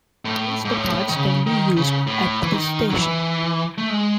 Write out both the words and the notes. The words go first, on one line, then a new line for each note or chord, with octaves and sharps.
Oyster cards can be used at this station.
A2
G#2
A2
D#3
C#3
D#3
C#3
A2
E3
D#3
F#3
E3
A3
G#3